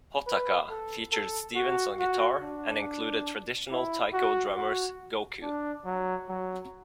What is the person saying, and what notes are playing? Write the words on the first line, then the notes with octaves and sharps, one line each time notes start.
"Hotaka" featured Stevens on guitar, and included traditional Taiko drummers Gocoo.
B4
A4
A4
F#4
F#4
D4
E4
F#4
F#4
D4
F#3
F#3